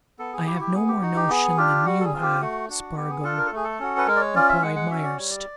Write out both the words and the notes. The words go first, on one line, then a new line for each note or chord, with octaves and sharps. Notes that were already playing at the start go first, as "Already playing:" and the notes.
"I have no more notion than you have, Spargo," replied Myerst.
B3 A4
G#4
E4 G4
F#4
G4
B3 G#4
G4
D#4 F#4
G4
B3 G#4
D4 F4 G4
G3 F#4
A4
G#4
C4 F4
G4
A3 F#4
D4 F#4
B3 G4
G#4
D4 F4 A4
A#4
A4
A3 G#4
A4
C#4 F#4
B4
G#3 A#4
D5
C#5
C#4 F4 D5
E5
G#3 F#5
F#5
C#4 F#4 E5
D5
G3 C#5
D5